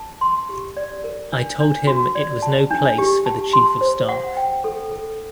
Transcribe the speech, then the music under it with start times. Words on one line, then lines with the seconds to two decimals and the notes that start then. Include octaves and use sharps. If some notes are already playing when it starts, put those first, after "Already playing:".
I told him it was no place for the Chief of Staff.
Already playing: A5
0.21 C6
0.49 G4
0.77 D5
1.04 A#4
1.32 D4
1.60 D4
1.87 F#4
2.15 D5
2.42 A5
2.71 D4
2.98 G4
3.26 A5
3.53 C6
3.81 C5
4.09 F#5
4.37 G5
4.64 A4
4.92 A4